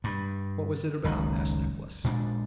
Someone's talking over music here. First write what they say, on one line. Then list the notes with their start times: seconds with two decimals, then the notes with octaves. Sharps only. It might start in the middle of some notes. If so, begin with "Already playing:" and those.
"What was it about?" asked Nicholas.
0.04 G2
1.04 F#1 C#2 D#3
2.04 A#2 G#3 C#4 D4